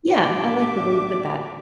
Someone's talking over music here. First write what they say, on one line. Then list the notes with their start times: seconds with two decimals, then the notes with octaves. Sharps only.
Yeah. I like the way you put that.
0.13 A2 A3 D4 G4 E5 D6